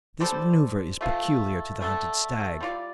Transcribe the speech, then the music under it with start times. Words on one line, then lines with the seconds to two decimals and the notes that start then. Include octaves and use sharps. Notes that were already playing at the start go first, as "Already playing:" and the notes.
This manoeuvre is peculiar to the hunted stag.
0.20 G3 D4 A4 C5
1.01 A3 F4 C5
1.81 D3 A3 D4 A4
2.61 G3 F4 D5